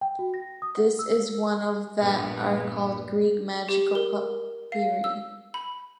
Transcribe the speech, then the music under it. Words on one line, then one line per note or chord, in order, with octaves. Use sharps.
This is one of that are called Greek Magical Papyri.
G5
F#4
A#6
D#6
F#5
E6
A#1 G2 B3
G4
A#4
F5
E6
B5